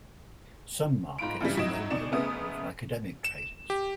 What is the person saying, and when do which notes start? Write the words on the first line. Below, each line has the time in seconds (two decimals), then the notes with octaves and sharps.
Some markets are only available to academic traders.
1.18 G#2 F4 B5 D7
1.41 G2 C#3 E3 G3
1.57 A2 F#3 D#4 D#5 D7 E7
1.90 D2 B2 D#4 D5 E7
2.12 F#1 C#3 A3 B3 G#4 D#6
3.25 E7
3.70 G4